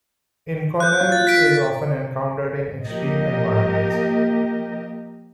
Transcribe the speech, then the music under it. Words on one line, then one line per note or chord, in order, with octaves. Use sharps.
Inconel is often encountered in extreme environments.
F#6 G6
F4
A6
B6 D7
F3 A#3 G4 A#4 D#5